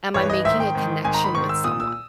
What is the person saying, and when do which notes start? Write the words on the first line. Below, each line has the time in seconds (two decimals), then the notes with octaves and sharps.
"Am I making a connection with someone?"
0.14 G2 E3 C#5
0.30 D#5
0.44 G#2 D#3 E5
0.60 G5
0.75 G#2 D#3
1.04 G#2 D#3 G#5
1.14 A#5
1.24 B5
1.35 G#2 D#3 C#6
1.49 E6
1.64 A#2 D#6
1.80 E6